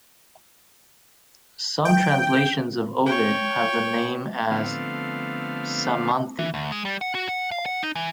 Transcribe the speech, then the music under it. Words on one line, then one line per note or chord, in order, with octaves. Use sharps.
Some translations of Ovid have the name as Psamanthe.
G5
C#5 G5
D3 F3 A3 B3 C4 F5
E3
D2
G#3
G3
F#5
F#4
F#5
F5
F#5
D#4
E3